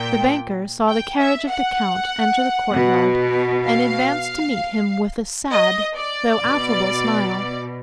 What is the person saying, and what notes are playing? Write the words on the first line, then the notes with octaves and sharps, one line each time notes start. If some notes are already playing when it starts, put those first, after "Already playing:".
The banker saw the carriage of the count enter the court yard, and advanced to meet him with a sad, though affable smile.
Already playing: A#2 G5
G5
E5
F#5
B2
F5
D#5
D5
B2